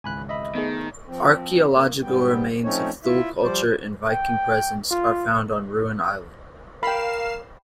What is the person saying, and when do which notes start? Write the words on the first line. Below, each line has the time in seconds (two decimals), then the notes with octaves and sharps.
Archeological remains of Thule Culture and Viking presence are found on Ruin Island.
0.04 G#1 C#2 E3 G#5 B5 F#6
0.29 D#5 E5 B5
0.55 D#3 A3 B3 G#4
1.07 F3 C4
1.72 A#3
2.03 G#2 G3 B3 G5
2.64 F3 A3 C4 C#4 D#4 C#5
3.04 E4 F4 E5
3.42 F3 G3 C5 D5
4.10 G5
4.91 F4
6.83 A#4 F5 G5 B5 C7 E7